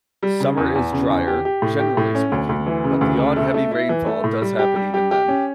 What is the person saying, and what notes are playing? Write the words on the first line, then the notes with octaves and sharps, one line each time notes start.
Summer is drier, generally speaking, but the odd heavy rainfall does happen even then.
G3
C#3
E2
E2
C#3
E2
G4
G4
A2
G4
A2
C#4
D2
D2
E3
C#3
D2
C#3
A3
A3
E4
E3
A3
A2
G3
G4
G3
G4
G4
C#4